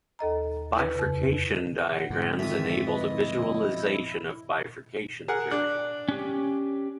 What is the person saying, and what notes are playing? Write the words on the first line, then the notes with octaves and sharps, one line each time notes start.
Bifurcation diagrams enable the visualization of bifurcation theory.
D#2 A4 D#5 A#5
E4 B4
F2 C#3
F#5
G#2 D3
F2 D#3 E5 D#6
B4 D#5
E4
G#4 A#4 F#5
D4 F#6
C#4 G4